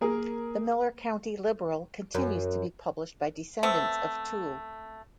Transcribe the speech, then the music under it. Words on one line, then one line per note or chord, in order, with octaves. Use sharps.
The "Miller County Liberal" continues to be published by descendants of Toole.
A#3 G#4 A#4
F#2
A3 B3 C4